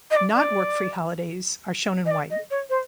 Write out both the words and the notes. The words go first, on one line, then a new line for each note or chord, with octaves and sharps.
Not work-free holidays are shown in white.
D#5
D5
D5
D#5
D5
D#5
C#5
C5